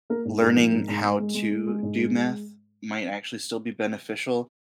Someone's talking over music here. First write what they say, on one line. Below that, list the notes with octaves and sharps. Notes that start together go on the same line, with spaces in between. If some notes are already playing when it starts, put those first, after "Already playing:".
learning how to do math might actually still be beneficial,
A#3 A#4
G#2
G#2 A#4
F3
G#2
G#2
G#3
G#3
G#3
G#3
G#3
G#2
G#3
G#3